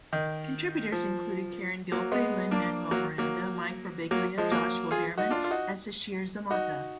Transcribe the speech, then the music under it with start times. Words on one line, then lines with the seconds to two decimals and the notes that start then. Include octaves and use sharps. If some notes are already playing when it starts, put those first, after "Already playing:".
Contributors included Carin Gilfry, Lin-Manuel Miranda, Mike Birbiglia, Joshua Bearman, and Sasheer Zamata.
0.13 D#3
0.92 F3
1.92 F#3 A#3
2.12 G#3 B3
2.51 A#3 D4
2.91 F#3 A#3
3.18 F#3 A#3
4.11 F#3 A#3
4.38 F3 G#3
4.52 F#3 A#3
4.91 F4 G#4
5.18 D#4 F#4
5.31 D4 F4
5.44 F4
5.51 D#4 F#4
6.51 D#4 F#4